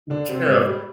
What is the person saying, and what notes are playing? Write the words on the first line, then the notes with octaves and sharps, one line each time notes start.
take care of.
D3 D4
C3 C4
G#2 G#3
G3